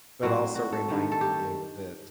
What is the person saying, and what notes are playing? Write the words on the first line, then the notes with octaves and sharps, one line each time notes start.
but also reminding you that
A2 F#3 C4 F#4
F#4
A4
G2 D#3 A3
A4
G4